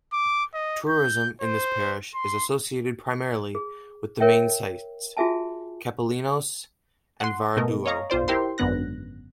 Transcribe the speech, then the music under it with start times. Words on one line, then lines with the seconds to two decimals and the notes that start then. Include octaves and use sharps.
Tourism in this parish is associated primarily with the main sites: Capelinhos and Varadouro.
0.13 D6
0.53 D#5
0.89 G6
1.42 C5
2.15 C6
3.55 G#4
4.20 A#4 C#5 E5 G5
5.17 F4 F#4 G#4 E5 G#5 A5
7.20 F#5 C6
7.57 B2 A3 A#4 D#5
7.86 C#5 D#5 F5 A#5 C#6
8.10 B1 F4 C5 D5
8.28 E4 G4 A#4 C5 C6
8.58 G#1 F#2 D3 B3 F#6 A#6